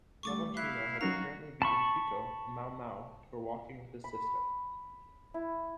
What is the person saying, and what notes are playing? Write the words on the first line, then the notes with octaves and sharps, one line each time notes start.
Lavonchino had apparently beaten Tico, a Mau Mau, for walking with his sister.
G3 A3 C#6 D6 A6
E4 F5 F#6 B6
F#3 C#4 D#4 F#4 A#5
A5 B5 C#6
B5
E4